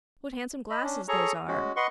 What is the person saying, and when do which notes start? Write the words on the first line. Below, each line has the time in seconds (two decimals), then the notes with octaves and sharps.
What handsome glasses those are!
0.70 D#5 B5
0.83 C#4 D4
1.08 G#4 A4 C#5 A#5 C#6
1.48 G#3 C#4 F#4
1.76 B4 D#5 F#5 C6 C#6